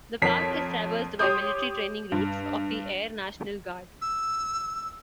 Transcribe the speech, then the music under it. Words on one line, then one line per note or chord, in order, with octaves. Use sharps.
The park is traversed by military training routes of the Air National Guard.
F2 A#4 C#5 B6
G4 C#5 C6 D6 D#6 G6
G2
E6